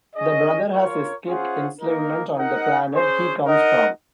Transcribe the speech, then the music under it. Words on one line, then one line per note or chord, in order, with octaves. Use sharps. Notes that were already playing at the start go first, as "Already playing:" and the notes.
The Brother has escaped enslavement on the planet he comes from.
C#4 G#4 D#5
F4 A#4 C#5
C#4 F4 G#4 C5 F#5
A#3 D#4 A#4
D#4 A#4 D#5 F#5
C#4 G#4 C5
D#4 A#4 D#5 F#5